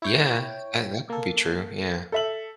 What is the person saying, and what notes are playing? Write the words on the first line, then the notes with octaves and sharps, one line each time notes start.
Yeah, that that could be true, yeah.
E4 C#5 G5
A#3 A4
A4 E5 F#7